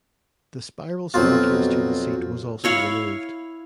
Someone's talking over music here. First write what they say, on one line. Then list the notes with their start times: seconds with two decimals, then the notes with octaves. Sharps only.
The spiral staircase to the seat was also removed.
1.14 F2 B2 F#3 F4
2.64 E4 C#5 F5